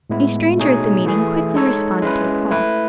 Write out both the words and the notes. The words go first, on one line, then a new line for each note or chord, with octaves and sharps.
A stranger at the meeting quickly responded to the call.
A2 G#3 B3 E4
B2 A3 D#4 G#4 C#5
E3 A3 E4 G#4
G#3 D#4 A4 C#5
G#3 C#4 E4 B4
A3 E4 B4